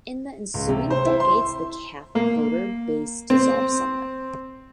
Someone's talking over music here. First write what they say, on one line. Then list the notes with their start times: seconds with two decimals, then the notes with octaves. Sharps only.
In the ensuing decades, the Catholic voter base dissolved somewhat.
0.54 C#2
0.69 C3
0.90 C5
1.05 E4
1.20 C6
2.15 A#3
3.30 C4